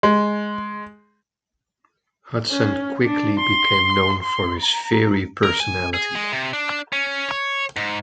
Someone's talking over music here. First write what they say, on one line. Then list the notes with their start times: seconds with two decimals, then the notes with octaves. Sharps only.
Hudson quickly became known for his fiery personality.
0.03 G#3
2.51 C#4
3.05 D4
3.39 C6
4.23 C6
4.59 A#5
5.43 A#4
5.60 G#5
5.94 G#4
6.15 G#3
6.32 C3
6.53 D4
6.93 C#4
7.29 C#5
7.77 G#2